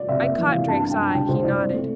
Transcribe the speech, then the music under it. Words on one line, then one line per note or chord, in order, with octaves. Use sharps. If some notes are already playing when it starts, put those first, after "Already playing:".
I caught Drake's eye; he nodded.
Already playing: D5
C3 E5
A#3 E5
E3
F5
C3
G2 A5
G2 A5
G5
G2
C2 G5
C2 C5
C2 D5
C4
A3